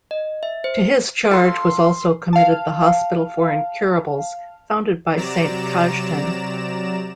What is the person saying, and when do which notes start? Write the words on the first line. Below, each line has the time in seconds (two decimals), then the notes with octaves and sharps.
To his charge was also committed the hospital for incurables, founded by Saint Cajetan.
0.11 D#5
0.43 E5
0.64 C5
1.31 F4 A4 C6
2.33 F5 A5
5.16 C3 F#3 D5 A#5 E7